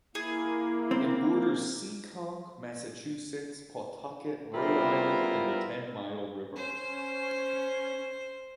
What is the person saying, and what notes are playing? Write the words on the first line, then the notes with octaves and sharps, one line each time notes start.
It borders Seekonk, Massachusetts, Pawtucket, Rhode Island and the Ten Mile River.
A#3 E4 G#4
C4
G3 B3 E4 F4 A#4 C5
C#4 C5